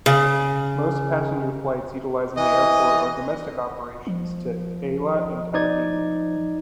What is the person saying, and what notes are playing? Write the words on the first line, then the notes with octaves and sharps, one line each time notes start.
Most passenger flights utilizing the airport are domestic operations to Eilat and Tel Aviv.
C#3
E3 D#5
F3
D#4 D5 G#6